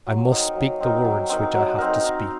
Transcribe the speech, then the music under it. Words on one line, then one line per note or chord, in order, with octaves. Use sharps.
I must speak the words which I have to speak.
F#3
C4 D#4 A#4
F#3
C4 D#4 A#4
F#3
C4 D#4 A#4
F#3
C4 D#4 A#4
D#4